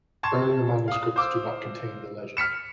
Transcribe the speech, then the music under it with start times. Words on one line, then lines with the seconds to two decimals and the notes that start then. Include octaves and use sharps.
Earlier manuscripts do not contain the legend.
0.23 A5 C6 C#6 G#6 E7
0.88 F5 D#6
1.16 C5 F5 D6 E6
2.37 F6 B6 C#7 E7